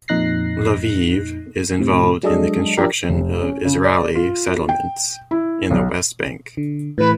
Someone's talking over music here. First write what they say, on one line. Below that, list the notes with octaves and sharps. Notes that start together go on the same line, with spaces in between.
Leviev is involved in the construction of Israeli settlements in the West Bank.
F2 A#2 D#4 F#6 A#6 C7
A2 C3
F#3 G#3 D4 A4 D#5
F3 D4 G4 A#4
F1
C#4
C#3
D5
F4
G5
E4
B1
D3
A2 E3 B4